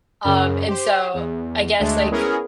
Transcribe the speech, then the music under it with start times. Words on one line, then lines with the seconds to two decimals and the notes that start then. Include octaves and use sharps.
um, and so, I guess, like
0.24 F#2 C#3
0.67 G4 C5
1.14 E2
1.79 D2 G#3 A3 D4
2.11 B3 C#4 E4 G#4 A#4